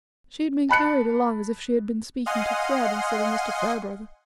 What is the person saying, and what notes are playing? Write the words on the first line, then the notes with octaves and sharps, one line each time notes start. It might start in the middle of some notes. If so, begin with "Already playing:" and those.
She had been carried along as if she had been speaking to Fred instead of Mr. Farebrother.
A5 B5 F#6 C#7
D#5 F5 F#5 G#5 C6 D#6